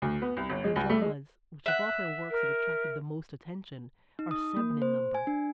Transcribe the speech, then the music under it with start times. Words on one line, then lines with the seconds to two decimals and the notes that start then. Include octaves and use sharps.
Her dramas, which, of all her works, have attracted the most attention, are seven in number.
0.02 D2
0.22 B3
0.37 C2
0.50 G1
0.64 G#3
0.76 C#2
0.90 A3
1.01 G#3
1.66 E5 F#5
2.31 A#4
4.19 D#4
4.31 D#6
4.57 A#3
4.82 C5
5.15 G#5
5.27 D4